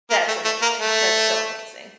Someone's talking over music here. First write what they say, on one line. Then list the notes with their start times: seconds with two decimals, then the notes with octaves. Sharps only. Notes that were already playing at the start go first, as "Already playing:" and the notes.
that's amazing, that's so amazing,
0.10 A#3
0.28 A3
0.45 A3
0.62 A#3
0.80 A3